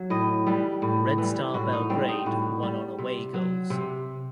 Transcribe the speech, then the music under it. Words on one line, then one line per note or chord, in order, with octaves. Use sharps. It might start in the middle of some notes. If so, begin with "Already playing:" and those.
Red Star Belgrade won on away goals.
Already playing: F#3
A2 D#5
E3 G3
A2
E3 G3
A2 F#4
D#4
G3 C4
D#4
A2 F#4
G3
C3
F#3
C3